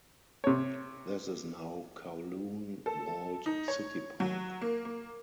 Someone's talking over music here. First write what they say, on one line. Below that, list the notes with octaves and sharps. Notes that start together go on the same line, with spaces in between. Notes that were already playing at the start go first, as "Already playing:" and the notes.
This is now Kowloon Walled City Park.
C3 C#5
A4
D#4
C#5
F#3
A#3
A#3